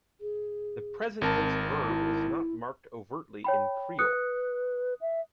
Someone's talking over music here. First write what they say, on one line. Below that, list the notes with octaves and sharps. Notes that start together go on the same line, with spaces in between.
The present tense verb is not marked overtly in Kriol.
G#4
G#1 C4 A#4 A5
E4
C#5 G5 B5
B4 D#6 F#6 C#7
E5